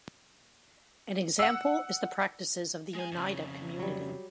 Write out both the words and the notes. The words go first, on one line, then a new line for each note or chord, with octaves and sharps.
An example is the practices of the Oneida Community.
F#5 E6
G#3 G#5
F2 C#3
F#3 G3